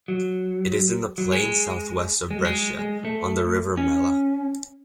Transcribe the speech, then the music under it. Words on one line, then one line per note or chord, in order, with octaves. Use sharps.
It is in the plain southwest of Brescia, on the river Mella.
F#3
F#3
G#3
G#3
F#3
G#3
G#3
A3
C#4